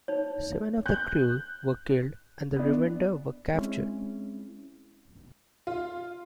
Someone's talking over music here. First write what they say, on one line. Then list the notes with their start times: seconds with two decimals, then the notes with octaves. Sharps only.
Seven of the crew were killed, and the remainder were captured.
0.08 D#4 C#5
0.86 F#6 G6
2.56 B3 D4
3.53 G#3 C4 C#4 E4
5.67 F4